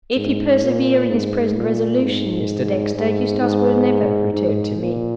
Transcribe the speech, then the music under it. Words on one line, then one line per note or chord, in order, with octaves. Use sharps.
"If he persevere in his present resolution, Mr. Dexter, Eustace will never return to me."
G#2
A#2
G#2
A#2
G#2
G#2
G#2
G#2
A#2